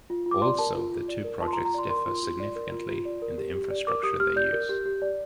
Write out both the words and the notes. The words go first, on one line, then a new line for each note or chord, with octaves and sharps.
Also, the two projects differ significantly in the infrastructure they use.
F4
F4
D6
D5 C6
A#4 A5
F4
F4
D5
A#4
F4 A5
C6
A#5
F4
A#5
D5 C6
A#4 C6
F4
F4
D5
A#4
F4
F4
D5
A#4
G4
G4
D5
A#4 D6
G4 D#6
G4 F6
D5 G6
A#4
G4
G4
D5